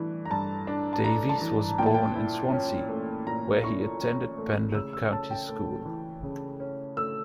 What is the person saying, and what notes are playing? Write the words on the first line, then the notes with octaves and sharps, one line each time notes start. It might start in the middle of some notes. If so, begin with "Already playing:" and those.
Davies was born in Swansea, where he attended Penlan County School.
Already playing: G2 E3 A3 D4
A#5
G2 A5
D4
A5
A3 A#5
A5
E3
A#2 G5
A5
G5
E4
C#4
A3
A#2 A#5
E4 C#6
C#4
A3
C#3 E6
E6
C#4 A5
G5
A3
E3
C#3
C#4
A3 E6